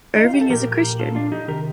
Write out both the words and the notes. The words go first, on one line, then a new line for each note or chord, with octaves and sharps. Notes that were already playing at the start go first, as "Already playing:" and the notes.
Erving is a Christian.
D#4
F4
G4
A4
A#2 F3 G4 A#4
G4 A#4
F4 A4
D4 F4
D#4 G4
C3 D#3 G4 A#4